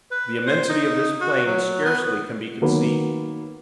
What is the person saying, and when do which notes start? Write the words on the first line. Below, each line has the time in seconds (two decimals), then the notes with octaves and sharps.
The immensity of this plain scarcely can be conceived.
0.11 B4
0.46 C5
0.69 D#4
1.21 F#4
1.46 F#3
1.85 B3
2.61 D#3 F#3 A#3 B3